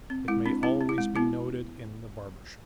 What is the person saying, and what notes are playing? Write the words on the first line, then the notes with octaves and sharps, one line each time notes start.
It may always be noted in the barber shops.
C4
G#3 E4
C4 D4
C4 E4
C4
E4
G#3
B3 E4